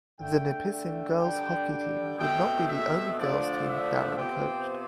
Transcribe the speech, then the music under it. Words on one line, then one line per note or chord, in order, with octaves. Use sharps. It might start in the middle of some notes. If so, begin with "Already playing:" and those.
The Nipissing girls' hockey team would not be the only girls' team Darren coached.
D3 A3 D4 G5
G5
D3 G3 D4 G5
G5
B2 A3 C4 G5
E5
D3 F3 A3 D4 D5
E5
C3 F3 B3 G5